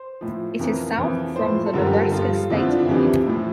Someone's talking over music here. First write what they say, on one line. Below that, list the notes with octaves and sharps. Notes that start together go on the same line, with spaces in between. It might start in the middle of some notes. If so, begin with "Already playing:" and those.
It is south from the Nebraska state line.
Already playing: C5
A2 F3
F2 E3 A#4
F2 E3
A2 F3 C5
A4
G2 D3 F3 A#4
G4
A4
G2 F3 F4
F2 D3 F3 E4
F4
D4
E4
F2 C3 E3 D4
A2 F3